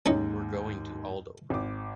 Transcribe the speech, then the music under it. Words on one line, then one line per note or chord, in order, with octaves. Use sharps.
We’re going to Aldover.
D#2 G#2 C#4 D#4
G#1 D6